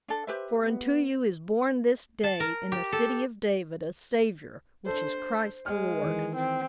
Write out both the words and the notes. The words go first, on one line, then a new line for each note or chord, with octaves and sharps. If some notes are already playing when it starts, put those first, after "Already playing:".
"For unto you is born this day, in the city of David, a Savior, which is Christ the Lord!"
D4 A4
G4 B4 C5 E5
B3
A5
A#4
G4
A4
D4 A4 C5
G#3 F6
D#3 E3
C4